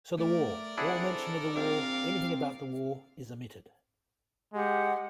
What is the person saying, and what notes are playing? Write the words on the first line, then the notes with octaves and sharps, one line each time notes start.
So the war, all mention of the war, anything about the war, is omitted.
A3 A#4 D5
C4 D4 E4 G#4 F#5
A4
A#1 C4 F5
G#3 G4 F#5